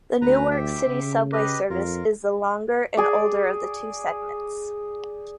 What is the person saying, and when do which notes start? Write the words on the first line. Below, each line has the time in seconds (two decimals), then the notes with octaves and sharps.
The Newark City Subway service is the longer and older of the two segments.
0.21 D2 B4 A#5
0.51 G4 E5 G5
0.88 C#3
1.32 G4 B4 D#5
1.70 F2 F4 A#4
2.97 G#4 D5